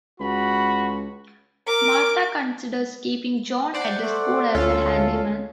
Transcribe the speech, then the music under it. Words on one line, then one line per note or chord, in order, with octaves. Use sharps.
Martha considers keeping John at the school as a handyman.
C#2 F#4 B5
A#4 D6
C5 D5 F#5
A3
D2 C#4 F4 A4
C#4